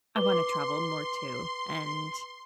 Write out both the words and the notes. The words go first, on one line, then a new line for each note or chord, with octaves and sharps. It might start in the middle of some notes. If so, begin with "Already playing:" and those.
I wanna travel more, too, and
B4 C6 D6 G7